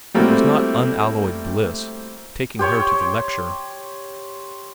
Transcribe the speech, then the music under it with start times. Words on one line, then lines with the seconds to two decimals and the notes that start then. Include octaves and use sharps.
It was not unalloyed bliss, taking her to the lecture.
0.14 G3 A3 A#3 C4 E4 F#4
2.59 G4 C5 C#5 G5